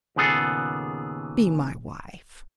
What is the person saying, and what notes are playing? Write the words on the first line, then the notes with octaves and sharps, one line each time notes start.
Be my wife.
D#2 A#2 C#3 B3 G#4 A4